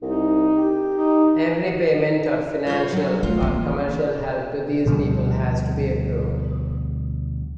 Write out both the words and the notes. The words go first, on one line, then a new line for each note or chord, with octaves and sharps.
Every payment or financial or commercial help to these people has to be approved.
C2 D#4
G4
D#4
F4 C5 C#5
F#3 C#4
A3 F4
E3 A#3
D2 B2 F3 G3